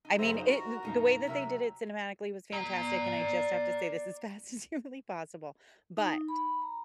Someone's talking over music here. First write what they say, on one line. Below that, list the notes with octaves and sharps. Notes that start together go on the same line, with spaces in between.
I mean, it th the way that they did it cinematically was fantastic, and I just have to say this as fast as humanly possible, but
D#4
F#2 C#3 F#3 G#4 C5 E5 F#5 A#5
D#4 C5
F#4 A#4
F#2 B2 D#4 F5
C3 F#3 E5 A#5
D5 A#5
D#4
B5
A#5